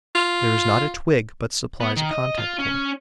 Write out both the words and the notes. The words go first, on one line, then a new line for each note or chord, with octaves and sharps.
There is not a twig but supplies a contact-point.
F4
B3
D#3
D#5
F4
C#4